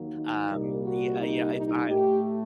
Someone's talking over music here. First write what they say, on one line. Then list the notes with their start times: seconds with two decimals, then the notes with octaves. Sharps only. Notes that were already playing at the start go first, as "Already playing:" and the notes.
um, yeah, uh, yeah, if I
Already playing: D#2 D#3 F#3 A#3
0.15 D#4
0.49 C2 A#2 G3 A#3
0.84 F#4
1.20 D#4
1.55 D#4
1.89 A2 A3 G4